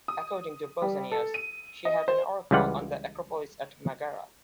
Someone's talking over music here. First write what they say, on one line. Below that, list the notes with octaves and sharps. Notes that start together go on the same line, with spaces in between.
According to Pausanias, she had an oracle on the acropolis at Megara.
D#6
G3
A4
D#7
D#5
C5
C#2 E3 G3 F4 F#5